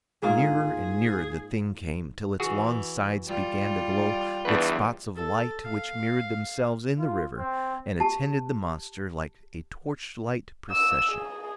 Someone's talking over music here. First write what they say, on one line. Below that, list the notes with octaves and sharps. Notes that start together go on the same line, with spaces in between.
Nearer and nearer the thing came, till its long sides began to glow with spots of light which mirrored themselves in the river and attended the monster like a torchlight procession.
G#2 A#3 F4 G#4
E3 F#4 G#4
G3 F4
E2 D4 B4
A4
F5
F4
C4
G4 A5
E6
G#4